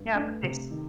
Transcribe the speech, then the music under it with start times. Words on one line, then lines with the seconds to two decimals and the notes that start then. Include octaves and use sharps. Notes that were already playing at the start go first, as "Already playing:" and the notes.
yeah, but this.
Already playing: G2
0.15 A3 D4
0.43 C3
0.71 D#3